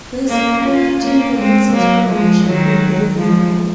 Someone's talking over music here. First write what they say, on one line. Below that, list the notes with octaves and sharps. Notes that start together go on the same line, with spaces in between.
This meant that two vacancies for membership would be available.
A#3 C#4
C#4 F4
A#3 C#4
G#3 C4
F#3 A#3
F3 G#3
D#3 F#3
F3 G#3